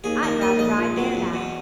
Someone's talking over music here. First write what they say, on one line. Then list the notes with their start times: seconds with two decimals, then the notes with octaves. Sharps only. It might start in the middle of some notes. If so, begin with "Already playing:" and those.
I'd rather ride bareback.
0.04 D#2 G#4
0.23 D#2 A#4
0.41 D#2 D#5
0.59 A#1 D#5
0.77 A#1
0.96 F#3
1.15 E2
1.33 B2